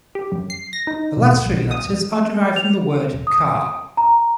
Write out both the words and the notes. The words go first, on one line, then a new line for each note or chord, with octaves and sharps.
The last three letters are derived from the word "car".
G4
F#2
C7
A#6
D#4
B2
B1
D#6
F7
D#6
A#5